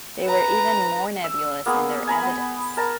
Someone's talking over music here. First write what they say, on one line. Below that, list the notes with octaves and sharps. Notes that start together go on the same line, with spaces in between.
They were even more nebulous in their evidence.
B4 A#5
E6
A#3 B3 G#4
G#5 A#5 B5
B3
A#4 A5 A#5